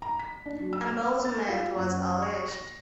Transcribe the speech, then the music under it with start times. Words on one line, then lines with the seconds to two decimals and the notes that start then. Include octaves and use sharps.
Embezzlement was alleged.
0.02 A#5
0.19 B6
0.46 D4
0.60 F#3
0.73 E6
0.88 F6
1.25 A6
1.48 F4
1.76 F#2
2.22 C#6
2.48 A#6